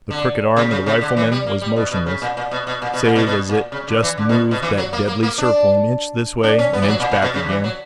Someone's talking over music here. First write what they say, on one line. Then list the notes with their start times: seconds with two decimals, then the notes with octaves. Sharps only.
The crooked arm of the rifleman was motionless, save as it just moved that deadly circle an inch this way, an inch back again.
0.11 D3
0.56 C#3
0.71 C#3
0.86 C#3
1.01 D3
1.17 E3
1.32 G3
1.46 A#3
1.62 G3
1.76 B2
1.91 B2
2.06 C#3
2.22 A#2
2.37 A#2
2.51 B2
2.67 B2
2.82 A#2
2.94 B2
3.05 A#2
3.15 B2
3.26 B2
3.49 A#2
3.72 C#3
3.88 D3
4.02 E3
4.18 D3
4.29 B2
4.51 B2
4.62 E3
4.77 F#3
4.93 A#3
5.07 A#3
5.23 A#3
5.38 D4
6.43 D4
6.59 C#4
6.73 B3
6.82 E3
6.88 F#3
7.00 A#2
7.11 A#2
7.22 B2
7.34 C#3
7.43 D3
7.49 E3
7.64 F#3